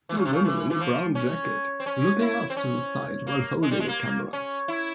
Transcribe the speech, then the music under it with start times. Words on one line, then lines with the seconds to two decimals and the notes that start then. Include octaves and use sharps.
A woman in a brown jacket looking off to the side while holding a camera.
0.09 E3
0.17 C#3
0.25 C3
0.33 C#3
0.45 E3
0.70 E3
0.80 F3
1.15 C#4
1.80 C4
1.86 C#4
2.21 E4
2.50 C4
2.57 C#4
3.27 A#3
3.62 G#3
3.71 G3
3.80 G#3
3.88 A#3
4.33 C#4
4.68 E4